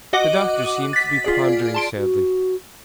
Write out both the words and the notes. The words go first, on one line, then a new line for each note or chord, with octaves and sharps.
The doctor seemed to be pondering sadly.
F#4 D#5 F#5 D6
A6 B6
F4 G#4 D5
A5 C6 D7
F#4